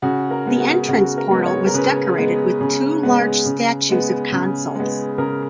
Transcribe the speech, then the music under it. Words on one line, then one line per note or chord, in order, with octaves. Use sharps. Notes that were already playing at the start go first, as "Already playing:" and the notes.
The entrance portal was decorated with two large statues of consuls.
C#3 F#4
A#4
G#3 B3
F#4
C#3 F#4
A#4
G#3 B3
C#5
A#4
C#3 B4
G#3 B3
C#3
G#3 B3
C#3
G#3 B3
C#3
G#3 B3
C#3 A#4